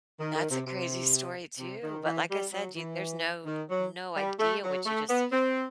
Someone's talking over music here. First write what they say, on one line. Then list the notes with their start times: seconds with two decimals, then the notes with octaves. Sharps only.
That's a crazy story too, but like I said, you there's no no idea what you just
0.20 D#3
0.35 D#3
0.50 C3
0.66 C3
1.59 C3
1.83 D#3
2.05 E3
2.30 G3
2.53 F#3
2.76 E3
3.46 D#3
3.69 F#3
4.16 G3
4.40 A3
4.63 F#3
4.86 A3
5.09 B3
5.32 C4